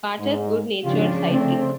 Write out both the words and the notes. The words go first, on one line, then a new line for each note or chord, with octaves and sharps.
Carter's good-natured sidekick.
G#2
G#1 C#3 F3 D4 F4 G4
A3 C4